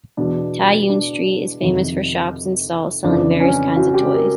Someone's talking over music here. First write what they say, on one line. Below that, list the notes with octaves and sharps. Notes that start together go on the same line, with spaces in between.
Tai Yuen Street is famous for shops and stalls selling various kinds of toys.
E2 B2 D4
D4
F2 C3 D#3
F2 C#3 E3 D4
C#4
F#4
G4
A#4